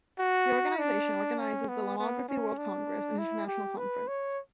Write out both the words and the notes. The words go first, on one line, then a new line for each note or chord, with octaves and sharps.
The organisation organises the Lomography World Congress, an international conference.
F#4
D4
C#4
B3
B3
C#4
D4
E4
G4
B4
C#5